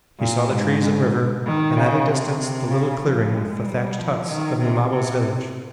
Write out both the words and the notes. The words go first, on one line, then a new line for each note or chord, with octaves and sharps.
He saw the trees and river and at a distance the little clearing with the thatched huts of Numabo's village.
A#2
G#2
D#3
C#3
C3
C3
C#3
F3
G#3
G3
F3
D#3
C3
C3